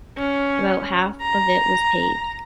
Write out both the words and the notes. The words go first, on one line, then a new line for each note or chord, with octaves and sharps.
About half of it was paved.
C#4
A#5